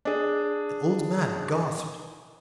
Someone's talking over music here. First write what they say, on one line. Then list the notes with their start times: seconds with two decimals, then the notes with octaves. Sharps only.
The old man gasped.
0.05 D4 G#4